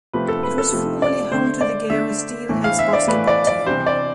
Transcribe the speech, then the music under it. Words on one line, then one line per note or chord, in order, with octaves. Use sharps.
It was formerly home to the Gary Steelheads basketball team.
C3 F3 A3 B4
A4
B4
A4
C3 F3 A3
D5
D3 A3 C5
D5
D3 A3 E5
A2 E3 A3
F5
E5
D5
A2 E3 A3 B4
D5
D5
C3 E3 G3 C5
D5